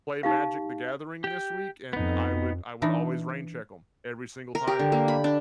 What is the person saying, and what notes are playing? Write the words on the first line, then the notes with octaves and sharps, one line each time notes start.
play Magic The Gathering this week?" And I would I would always rain check 'em, every single time,
D#4 G4 F5
G4 G5
F2 B3 D#4
E3 D4 D#4
A#4
G4
D3
A#3
B5
D4